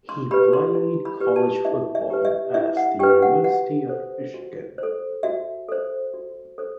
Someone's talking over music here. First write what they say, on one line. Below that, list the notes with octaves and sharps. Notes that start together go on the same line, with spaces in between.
He played college football as the University of Michigan.
C6
G4 B4 B5
C6
E4
B5
G4 B4
A5
E4 E5
E5
G4 B4
E5
E4 E5
F#5
G4 B4 G5
F#5
F#4 F#5
A4 C5
F#4
A4 C5
F#4 E5
A4 C5
F#4
A4 C5